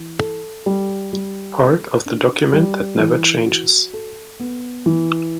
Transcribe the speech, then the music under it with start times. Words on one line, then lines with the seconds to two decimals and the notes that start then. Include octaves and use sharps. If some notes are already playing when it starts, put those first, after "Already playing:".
Part of the document that never changes.
Already playing: E3
0.19 A4
0.66 G3
1.13 G3
1.59 A4
2.06 D4
2.53 G3
3.00 E3
3.46 F#4
3.93 A4
4.40 B3
4.86 E3